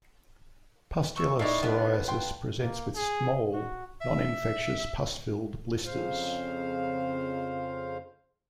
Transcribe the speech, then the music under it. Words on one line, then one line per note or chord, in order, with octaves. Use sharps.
Pustular psoriasis presents with small non-infectious pus-filled blisters.
E5 C#6
A2 D#4 C#5 D5 E5 B5
B3 D4 F4
G5 C6
A#3
G#4
F#4
E5
F2 C#3 C5 F5